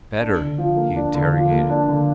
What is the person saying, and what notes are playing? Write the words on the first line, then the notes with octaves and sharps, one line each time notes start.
"Better?" he interrogated.
D4
D3
F3
A#3
D4
D3
F3
A#3
D4
D3